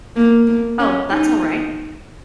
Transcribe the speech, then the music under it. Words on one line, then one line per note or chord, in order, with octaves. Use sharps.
Oh, that's all right.
A#3
A#3
C#4
D#4